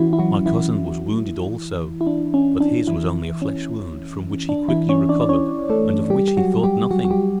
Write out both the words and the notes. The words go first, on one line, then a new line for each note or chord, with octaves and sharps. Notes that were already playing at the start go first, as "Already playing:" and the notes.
My cousin was wounded also, but his was only a flesh wound from which he quickly recovered and of which he thought nothing.
Already playing: E3 C#4 E4 F#4
E4
F#3 F#4
E3 E4
E4
D4
C#4
D4
E3 E4
C#4
D4
E3 E4
C#4 C#5
D4 D5
D5
C#4 C#5
A3 A4
G3 G4
G4
F#3 F#4
F#4
G3 G4
F#3 F#4
F#4
G3 G4